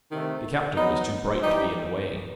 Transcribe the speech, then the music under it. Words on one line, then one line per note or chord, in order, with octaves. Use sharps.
The captain was too bright to be in the way.
C3 D#3 A3
F#3 B3 D#4
E3 G3 D#4 G4